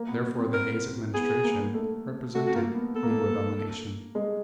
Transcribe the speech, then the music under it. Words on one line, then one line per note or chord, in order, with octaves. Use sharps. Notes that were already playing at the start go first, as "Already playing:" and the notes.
Therefore, the Hayes administration represented "Negro Domination."
Already playing: A#3
B3
C4
A#4
B3 G#4
A#3
A3
A3 F#4
F#4
A#3 F4
B3
B3 A4
A#3
A3
A#3
G#3